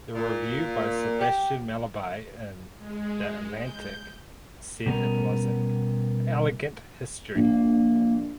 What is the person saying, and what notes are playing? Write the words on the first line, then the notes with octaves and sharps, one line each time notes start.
The review by Sebastian Mallaby in "The Atlantic" said it was an "elegant history".
A#2
G4
G#3
G6
B2 G3 B3 C#4 A#4
A#1 A#3